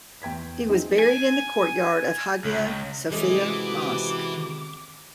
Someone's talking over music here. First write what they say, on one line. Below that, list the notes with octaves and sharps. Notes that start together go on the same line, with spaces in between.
He was buried in the courtyard of Haghia Sophia Mosque.
E2 G5 G#6 B6
F3 C4 D#4 G#4
G#5
C#2
C3 E3 G#3 C#4 F#4 A4 D6